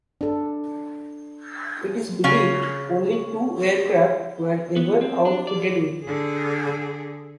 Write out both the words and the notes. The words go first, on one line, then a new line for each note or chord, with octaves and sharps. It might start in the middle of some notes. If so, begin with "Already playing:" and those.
It is believed only two aircraft were ever outfitted with it.
D4 A4
C#3 C#4 F5
B3
C4
D4
D5
D3 G#4